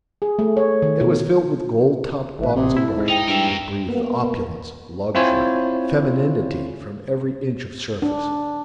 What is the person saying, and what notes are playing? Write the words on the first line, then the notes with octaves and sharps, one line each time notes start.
It was filled with gold-topped bottles and brushes, and it breathed opulence, luxury, femininity from every inch of surface.
G#4
A3
C#5
D#3
B2
A1 B4 E5
C3 G4 G#4
E4 A4
G#2
D#4 G5
G2 A#4 E5
A#3 B3
C4 E4 F4 C5 C#5 G#5
D4